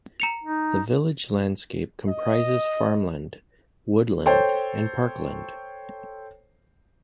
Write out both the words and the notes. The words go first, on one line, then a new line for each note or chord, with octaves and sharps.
The village landscape comprises farmland, woodland and parkland.
A#5 C#7 F7
D#4
D#5
A4 C5 C#5 G5